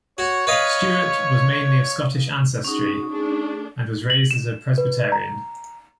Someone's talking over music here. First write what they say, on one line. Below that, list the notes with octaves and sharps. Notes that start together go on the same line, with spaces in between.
Stewart was mainly of Scottish ancestry and was raised as a Presbyterian.
F#4 C#5
B4 C#5 D#5 F5
C#4 D#4 F#4 G#4
A3 D4 G#4
F#7
E7
B4
A#5